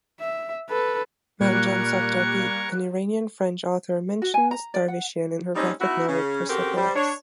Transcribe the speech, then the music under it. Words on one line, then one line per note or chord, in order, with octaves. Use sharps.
Marjane Satrapi, an Iranian-French author, mentions Darvishian in her graphic novel "Persepolis".
E5
A4 B4
A#2 G3 A#3 A#4 C#6 F#6 G#6
F#4
G#5
A#5
D5
F#5
G3 A3 C4 C#4 D#4
B3 D#4 E4 F#4
C#3 C#4
C#3 C4 F#4 G4 A4 A#4
G3 C5
D4 C#5